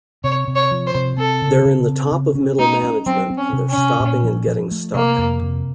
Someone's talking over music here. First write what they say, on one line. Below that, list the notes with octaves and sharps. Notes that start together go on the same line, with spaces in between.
They're in the top of middle management and they're stopping and getting stuck.
C3 C#5
C3
C#5
F3
C5
C3
C4 A4
C#3
C#3
C4
C#3
C#4
A3 D#4
C#4
F#3 C4
C4
C#4
C3
C#4
C3
A#2
F3
F3
A3
C3 A#3
F2
C3